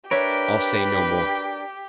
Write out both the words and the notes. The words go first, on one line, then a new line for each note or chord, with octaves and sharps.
I'll say no more.
D4 G4 A#4 B4 C#5 E5